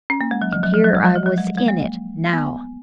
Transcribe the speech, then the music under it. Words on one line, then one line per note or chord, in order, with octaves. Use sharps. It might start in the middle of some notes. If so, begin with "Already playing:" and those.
And here I was IN it now.
C#4
A#3
G#3
F#3
F3
F#3
F3
F#3
G#3
F#3
F3
F#3
G#3
G#3
A#3
B3